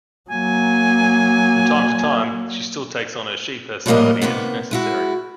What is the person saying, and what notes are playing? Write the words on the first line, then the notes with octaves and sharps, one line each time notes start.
From time to time, she still takes on her Shi personality if necessary.
F#3 A#3 G#5
A2 F3 G3 A#3 A#4 D#5
C3 D#3 A#3 B3
G#3 E4 F#4